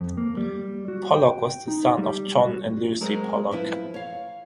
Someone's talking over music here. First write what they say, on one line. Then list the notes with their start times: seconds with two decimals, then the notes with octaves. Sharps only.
Pollock was the son of John and Lucy Pollock.
0.01 F2
0.17 A#3
0.37 G3
0.88 F#4
1.16 G5
1.68 D#4
1.98 G3
2.41 F#4
3.01 F#3 G#3 G#4 A#4 C5
3.51 F3 E4 B4
3.94 C#5 F5